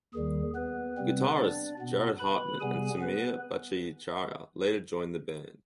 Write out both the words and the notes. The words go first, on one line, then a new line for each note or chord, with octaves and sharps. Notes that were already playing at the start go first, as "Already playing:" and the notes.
Guitarists Jared Hartmann and Sameer Bhattacharya later joined the band.
D#2 D#3 G3 G#4
B3 B4
C3 G3 C4
D4 D5
B2 B3
B4 B5
C3 G3 B3 G#4 G#5
B3 B4